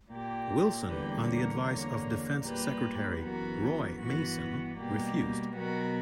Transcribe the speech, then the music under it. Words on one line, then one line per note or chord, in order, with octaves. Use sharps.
Wilson, on the advice of defence secretary Roy Mason, refused.
A#2 A#3 G4
E2 D3 G3 A#3 G4 B4
A#4 C#5
E2 D3 A#3
A#2 G3 A#3 G4 B4
F#2 E3 B3 F#4 A#4
G2 E3 B3 F#4
B2 G3 A#3 G4
B2 F#3 B3 F#4 A#4